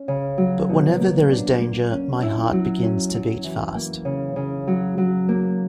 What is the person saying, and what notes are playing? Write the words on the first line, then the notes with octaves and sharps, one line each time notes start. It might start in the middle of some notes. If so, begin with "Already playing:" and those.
But whenever there is danger my heart begins to beat fast.
Already playing: C#4
C#3
F#3
B2
A#3
D4
A#3
C#4
E4
F#3
C#4
F#3
E3
A#3
C#3
C#3
F#3
F#3
A#3